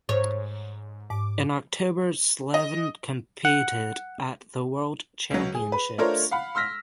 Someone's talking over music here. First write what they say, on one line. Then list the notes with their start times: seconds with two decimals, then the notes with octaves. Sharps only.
In October Slevin competed at the World Championships.
0.09 G#2 C#5
1.10 G#2 D6
2.54 D#5
3.45 F#5
5.30 C#2 F#3
5.55 G#4
5.72 B4
5.98 A3 D4 F4 A#4 C5 C#5
6.31 F5 F#5 B5
6.55 C6 E6 F6 A#6 B6